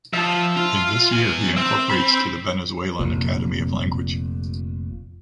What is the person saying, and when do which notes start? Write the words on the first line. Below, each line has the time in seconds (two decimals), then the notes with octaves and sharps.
In this year he incorporates to the Venezuelan Academy of Language.
0.13 F3 E5 A5
0.57 F4
1.12 E2 G#5
1.57 C4 E5
1.90 B5
2.99 F1 A#2